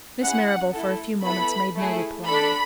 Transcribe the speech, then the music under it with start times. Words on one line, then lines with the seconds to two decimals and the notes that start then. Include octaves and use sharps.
Miss Marrable for a few moments made no reply.
0.22 C#4 E4 G#4 F#5
0.73 A3 E4 A4
1.24 B3 E4 A4 B5
1.76 A3 E4 G#4
2.27 D4 A4 B5